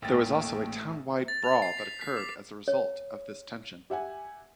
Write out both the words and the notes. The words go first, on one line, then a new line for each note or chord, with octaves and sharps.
There was also a town-wide brawl that occurred as a result of this tension.
A1 E2 A#2 A3 A#3 G5 A6
A6
F7
C7
B6
B6
D6
C#5
G4 E5 F#5 G#5